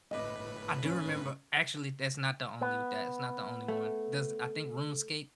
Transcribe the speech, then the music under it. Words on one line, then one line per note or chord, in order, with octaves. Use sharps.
I do remember actually, that's not the only that it's not the only one, there's, I think, RuneScape
G1 A2 B4 D#5 D6
C#4
B3
A3